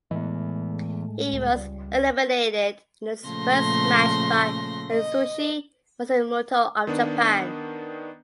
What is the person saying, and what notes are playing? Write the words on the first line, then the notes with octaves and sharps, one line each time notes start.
He was eliminated in his first match by Atsushi Matsumoto of Japan.
A2 E3 G#3 A3 B3
C#2
G3
A#2 C#3 F3 A3 C6 A#6
D#5
D#3 B3 D4